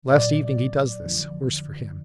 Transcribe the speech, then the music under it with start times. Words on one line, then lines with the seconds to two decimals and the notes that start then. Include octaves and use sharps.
Last evening he does this. Worse for him!
0.11 A#2 F#3 D5
1.01 F2 D3 F3